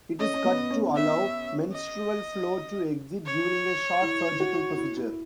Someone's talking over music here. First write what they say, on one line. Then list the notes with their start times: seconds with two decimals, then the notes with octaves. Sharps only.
It is cut to allow menstrual flow to exit during a short surgical procedure.
0.19 C#4 D#5
0.34 C#4
0.45 B3
0.70 C#4
0.95 E5
1.72 D#5
3.25 C#5
4.02 E4
4.40 F#4
4.78 E4
4.97 E4